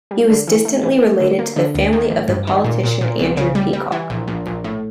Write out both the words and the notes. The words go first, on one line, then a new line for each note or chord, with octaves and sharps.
He was distantly related to the family of the politician Andrew Peacock.
G3
D3
E3
A3
E3
A3
D3
A#3
D3
D2
D#3
A1
G2
D#3
A#2
A#2
A#2
C2
C#3
G3
G3
E3
A#1
A#1
A#1
A2